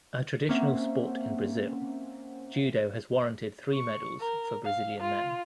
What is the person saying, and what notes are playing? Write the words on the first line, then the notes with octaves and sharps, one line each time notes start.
A traditional sport in Brazil, Judo has warranted three medals, for Brazilian men.
A#3 C4 C#4 C5 E5 F#5
C#6
A#4
F5
F4